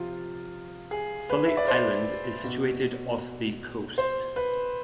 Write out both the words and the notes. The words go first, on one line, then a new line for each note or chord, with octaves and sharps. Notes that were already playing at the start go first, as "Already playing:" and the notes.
Sully Island is situated off the coast.
Already playing: C3 F3 F4
G#4
B4
E5
D5
C5
B2
C5
B4